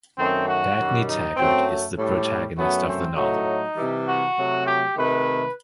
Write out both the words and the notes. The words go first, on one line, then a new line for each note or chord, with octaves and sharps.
Dagny Taggart is the protagonist of the novel.
F#2 D#3 A3 C4
F#4
F#2 D#3 G3
D#4
F#2 F#3 A3 C4
A2 G3
F#2 F#3 A3 B3
C4
A2 F#3 A3 D#4
C3 E3 G3
F#4
C3 F#3 A3
G4
C3 D#3 A3 B4